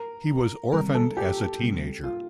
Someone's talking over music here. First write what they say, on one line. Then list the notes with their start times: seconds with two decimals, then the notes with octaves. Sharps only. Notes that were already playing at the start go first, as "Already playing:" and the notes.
He was orphaned as a teenager.
Already playing: A#4
0.72 C3 D#3 G3 C4 A#4
0.94 A4
1.17 G4
1.59 C3 G3 C4
2.04 F4